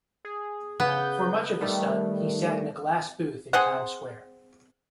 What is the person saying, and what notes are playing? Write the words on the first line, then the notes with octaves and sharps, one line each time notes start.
For much of the stunt, he sat in a glass booth in Times Square.
G#4
C#3 B3 G6
D#3 G3 A3
C4 G#4 C5 F#5